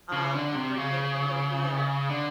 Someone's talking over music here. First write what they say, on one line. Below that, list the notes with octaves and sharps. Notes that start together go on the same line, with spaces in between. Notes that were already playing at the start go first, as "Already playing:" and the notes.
Um, and, for example, there'll be a
C#3
D3
C3
C#3
D3